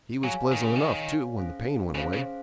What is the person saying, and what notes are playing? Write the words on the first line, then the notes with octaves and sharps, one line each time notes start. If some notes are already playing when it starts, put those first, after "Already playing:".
He was pleasant enough, too, when the pain went away.
F#3 G#4 C#5 F5 G#5
D#3
C#3
D#3
G#4 C#5 F5 G#5
C#4 G#4 C5 F5
C#3 C#4 G#4 C5 F5
C#3